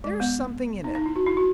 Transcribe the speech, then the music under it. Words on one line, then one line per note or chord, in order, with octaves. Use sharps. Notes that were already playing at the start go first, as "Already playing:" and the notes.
There's something in it.
G#3
B3
D#4
D#4
E4
F#4
E4
F#4